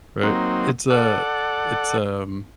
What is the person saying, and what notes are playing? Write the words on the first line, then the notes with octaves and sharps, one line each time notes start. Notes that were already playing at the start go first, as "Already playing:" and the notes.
Right, it's a it's, um
F#3 A#3 C4 D#4
A4 D5 F#5